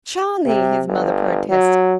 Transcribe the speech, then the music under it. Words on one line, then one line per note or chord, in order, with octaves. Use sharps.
"Charlie!" his mother protested.
C3
G1
F#3